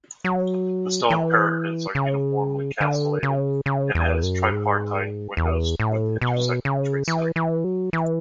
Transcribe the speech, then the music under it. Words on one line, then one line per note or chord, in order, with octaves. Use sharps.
The stone parapets are uniformly castellated and it has tripartite windows with intersecting tracery.
F#3
E3
C#3
D3
C#3
C#3
E2
F#2
G#2
E2
A2
B2
C#3
E3
E3
F#3
E3